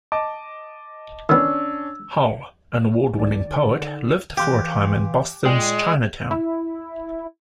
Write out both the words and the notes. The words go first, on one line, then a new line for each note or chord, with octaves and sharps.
Hull, an award-winning poet, lived for a time in Boston's Chinatown.
D#5 A5 D6
D#3 B3 C#4 D4 E6
C2 D#3 D5
D3
E3 G4 F5 C6 F#6
A#2 G#3 D5 G5 G#5
E4